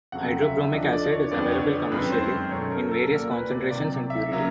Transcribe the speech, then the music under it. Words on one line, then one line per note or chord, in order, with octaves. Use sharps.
Hydrobromic acid is available commercially in various concentrations and purities.
F2 C#3 F#3 A3 C4 F#5
E5
D3 F3 A3 D4 D#5
D5
C#5
F2 D3 G3 B3 D4 D5
C#5
F#2 D#3 G#3 C4 B4
C5
B2 F#3 A3 C#4 C#5
A#4
A4
A#2 G3 A#3 A#4
B4
D5
C3 D#3 F#3 D5
E5
C#3 F#3 A#3